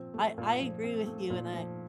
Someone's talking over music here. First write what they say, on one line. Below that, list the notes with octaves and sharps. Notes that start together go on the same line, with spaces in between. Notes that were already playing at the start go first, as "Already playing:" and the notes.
I I agree with you, and I
Already playing: A#2 F3 C4
A3
A#2
F3
C4
A3
A#2
F3